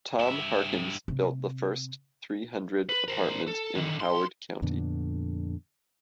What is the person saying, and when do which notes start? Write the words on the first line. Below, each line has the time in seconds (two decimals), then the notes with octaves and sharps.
Tom Harkins built the first three hundred apartment in Howard County.
0.19 G2 E5
1.08 C3
2.89 B4
3.08 A#4 C5
3.48 A4
3.75 D3 D#3
3.99 B1 C6
4.62 F2 A#2 D3 B3